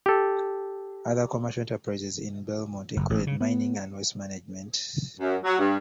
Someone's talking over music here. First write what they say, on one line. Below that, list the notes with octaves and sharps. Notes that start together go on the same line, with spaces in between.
Other commercial enterprises in Belmont included mining and waste management.
G4 A4
F#1
A1
C#3
B3
F#2
F#3
G2